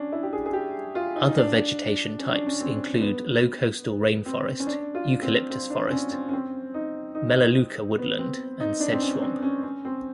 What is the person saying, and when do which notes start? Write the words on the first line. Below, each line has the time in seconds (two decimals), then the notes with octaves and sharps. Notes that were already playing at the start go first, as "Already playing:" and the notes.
Other vegetation types include low coastal rainforest, eucalyptus forest, melaleuca woodland and sedge swamp.
Already playing: C#4 D4
0.12 E4
0.23 G4
0.33 G#4
0.46 G#4
0.53 G4
0.95 F4
1.15 D#4
1.27 D#4
1.37 D4
2.19 C#4
2.32 D4
2.46 C#4
2.60 C4
3.01 B3
4.26 C4
4.60 C#4
4.67 D4
4.95 F4
5.22 C4
5.50 C4
5.70 D4
5.87 C4
5.91 C#4
6.11 C4
6.29 C#4
6.33 C4
6.74 D#4
7.15 D#4
7.98 B3
8.18 C4
8.60 D#4
8.80 D4
8.92 C4
9.01 C#4
9.22 C4
9.42 C#4
9.63 C#4
9.85 C4